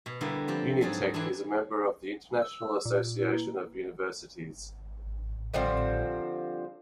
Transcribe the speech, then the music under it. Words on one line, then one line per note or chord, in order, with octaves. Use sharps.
Unitec is a member of the International Association of Universities.
B2
D3 G3 A#3 B3 E4
F3 C4 G4
G#2 F#3 G#4 A4
E3 F#3 C4 D4 E4
E6
A#2
E4 B4
A#3
D3 F3 G3 C4